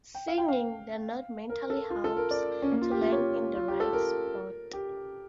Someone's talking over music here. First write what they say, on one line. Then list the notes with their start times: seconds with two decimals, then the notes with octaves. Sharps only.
"Singing" the note mentally helps to land in the right spot.
0.14 G5
0.28 F5
0.38 G5
0.48 F5
1.49 A#4
1.70 A4
1.90 F4
2.04 A4
2.17 A#4
2.31 D5
2.62 C#4
2.72 A#3
2.82 F4
2.91 G4
3.01 F4
3.12 C#5
3.55 F4
3.68 G4
3.80 A4
3.93 A#4
4.73 G4